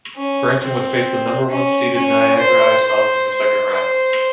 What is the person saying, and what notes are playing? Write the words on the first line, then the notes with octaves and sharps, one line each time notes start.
Brampton would face the number one seeded Niagara Ice Dogs in the second round.
C#4
C4
C#4
C#4
C5
C5
C5
C5